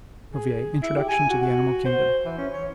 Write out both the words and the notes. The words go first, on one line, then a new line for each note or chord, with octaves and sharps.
Cuvier: Introduction to the Animal Kingdom.
G#4
E4
G4
G#5
F#4
F#4
C5
E3
C#4
C#5